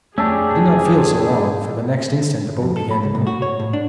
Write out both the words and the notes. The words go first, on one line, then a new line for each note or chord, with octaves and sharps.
I did not feel so long, for the next instant the boat began to move.
F2 A3 C#4 D4 G4 G#4 A5 E6
F2
A4
B5
C#2
C2
F#4
C#5
A2
D4